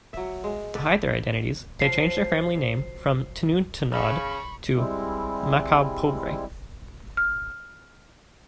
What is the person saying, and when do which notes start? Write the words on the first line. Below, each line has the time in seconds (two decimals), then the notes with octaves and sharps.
To hide their identities, they changed their family name from Tanudtanod to Macapobre.
0.13 F#3 E5
0.44 G#3
0.75 B3 A4 B4 D5
1.80 F3 F#3 F4 C7
3.92 C#3 B5 C#6
4.76 G3 G#3 C4 E4
7.17 F6